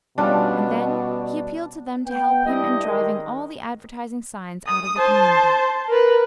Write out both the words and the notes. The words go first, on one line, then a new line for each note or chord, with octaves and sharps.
And then he appealed to them to help him in driving all the advertising signs out of the community.
B2 G3 C#4 D4 F4
B3 G5
G2 D4 E4 D#5
D#3 G3 G#3
D#6
C5 A5
A#4 B4